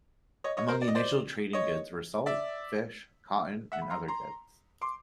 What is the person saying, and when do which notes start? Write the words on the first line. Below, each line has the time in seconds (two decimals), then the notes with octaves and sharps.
Among the initial trading goods were salt, fish, cotton and other goods.
0.44 C#5 D#5
0.57 C#5 D#5
0.68 A#4 C5
0.82 D5
0.88 D#5
0.95 C5 D5
1.53 C#5 D#5
2.26 D5 E5
3.72 E5 F#5
3.82 B5
3.90 A#5 C6
4.08 A#5 C6
4.81 C6 D6